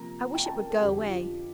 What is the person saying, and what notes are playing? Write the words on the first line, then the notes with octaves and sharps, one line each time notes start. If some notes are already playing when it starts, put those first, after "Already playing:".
I wish it would go away.
Already playing: C3 F3 A#3 A#5
G5
A5
A#4
A4
F2 D3 F3 G4
G4
F4